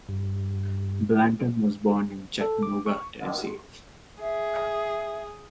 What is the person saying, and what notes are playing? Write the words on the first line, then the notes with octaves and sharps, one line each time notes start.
Blanton was born in Chattanooga, Tennessee.
G2
A4
D6
C#6
G#4 E5